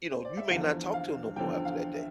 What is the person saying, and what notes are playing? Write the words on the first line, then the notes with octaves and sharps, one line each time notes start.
you know, you may not talk to 'em no more after that day.
C5
D5
E5
E2 D3 F3 F5
F5
E2 D3 F3 G5
F5
E5